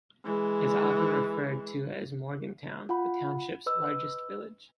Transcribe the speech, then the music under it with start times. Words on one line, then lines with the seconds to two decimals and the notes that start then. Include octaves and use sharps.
It is often referred to as Morgantown, the township's largest village.
0.25 E3 G#3
2.89 F4 F#5 B5
3.66 B4 D#5 E6